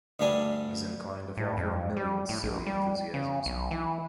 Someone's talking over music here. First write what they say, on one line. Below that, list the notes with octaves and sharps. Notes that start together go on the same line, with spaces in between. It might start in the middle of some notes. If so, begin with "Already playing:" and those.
He's inclined to fall for a million silly enthusiasms.
D2 G2 G3 D4 G#5
A2
F2
G3
A2
A#1
G3
C#3
B1
E3